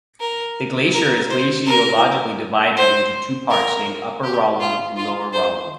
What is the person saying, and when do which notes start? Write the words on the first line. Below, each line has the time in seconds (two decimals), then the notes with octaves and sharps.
The glacier is glaciologically divided into two parts named Upper Ralam and Lower Ralam.
0.20 A#4
0.93 A#4
1.30 C5
1.66 A#4
2.76 C5
3.50 A#4
4.23 G4
4.60 F4
4.96 F4
5.33 C5